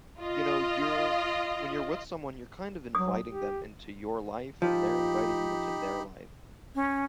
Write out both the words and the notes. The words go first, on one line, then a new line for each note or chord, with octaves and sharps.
y you know, you're when you're with someone, you're kind of inviting them into your life, and they're inviting you into their life,
F4 D#5
F#3 D#6
G4
F3 D#4 G4 B5
C#4